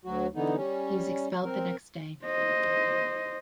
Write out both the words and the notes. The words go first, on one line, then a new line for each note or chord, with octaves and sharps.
He was expelled the next day.
D2 F#3 F#4
D3 E3 B3 D#4
G3 C#4
C4 A#4
C5 D#5